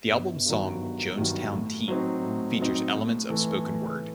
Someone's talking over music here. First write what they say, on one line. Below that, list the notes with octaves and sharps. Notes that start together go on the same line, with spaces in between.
The album's song "Jonestown Tea" features elements of spoken word.
G1
G2 D#3 F#3
G1
G2 D#3 F#3
A2
F#3 C4 D#4
A2
F#3 C4 D#4
A2
E3 A3
A2